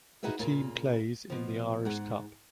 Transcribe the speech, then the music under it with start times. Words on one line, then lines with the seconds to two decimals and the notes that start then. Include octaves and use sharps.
The team plays in the Irish Cup.
0.23 D#4 F#4 G#4 B4 E5
0.39 A#2 C#3 A#3 F4
1.30 B2 F3
1.85 G#2 G#4 F#5